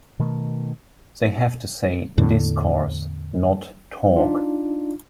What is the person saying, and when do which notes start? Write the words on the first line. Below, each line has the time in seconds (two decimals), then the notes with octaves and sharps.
They have to say 'discourse', not 'talk'.
0.19 B2 D#3 A3
2.18 E2 A2 D3
4.16 D4 D#4 F4